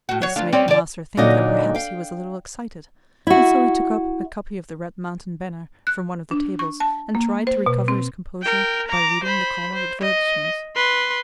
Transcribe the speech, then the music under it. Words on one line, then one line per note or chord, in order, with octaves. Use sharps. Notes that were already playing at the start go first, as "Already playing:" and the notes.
This made the master think that perhaps he was a little excited, and so he took up a copy of the RED MOUNTAIN BANNER from one of the tables, and tried to recover his composure by reading the column of advertisements.
A2 F#4
F#3 C#5
D2 D4 F4
G3 C4 C#4
D3 D5
A#2 D3 F#3 D#4 D#5 F5
F5 G5
E4 F#4
F#6
D4
C#6
A5
A#3
C5
B2
C4
A#4 G5
A#5 D6
C5 B5
C5
D#5
B4 C6